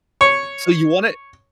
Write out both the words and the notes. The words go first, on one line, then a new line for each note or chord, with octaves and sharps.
So, you want it
C#5